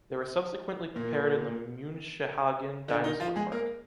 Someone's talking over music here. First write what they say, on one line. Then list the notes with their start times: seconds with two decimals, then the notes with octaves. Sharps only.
They were subsequently prepared in the Münchehagen Dinosaur Park.
0.96 A#2 A#3
2.88 D3 D4
3.04 D#3 D#4
3.20 F3 F4
3.36 G#3 G#4
3.52 A#3 A#4